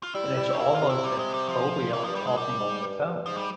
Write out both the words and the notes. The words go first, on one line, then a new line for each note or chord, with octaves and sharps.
and it's almost a phobia of talking on the phone.
F4
G3 E4
G3
C#4
A#3 E4
F4
C3
E4
G3
G#3
G3
F3
A#2 E3
G2 F3
G3
G#2 G#3
A#2 G3
G#2
G2
G2
G#2 F3
G3